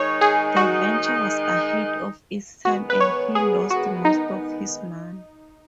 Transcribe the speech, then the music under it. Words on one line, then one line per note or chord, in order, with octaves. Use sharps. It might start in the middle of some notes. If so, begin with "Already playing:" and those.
The venture was ahead of its time and he lost most of his money.
Already playing: D#3 G#3 D#4 C#5
G#4
F#4
D#3 G#3 B3 F#4
B4
C#5
G#4
F#4
D#4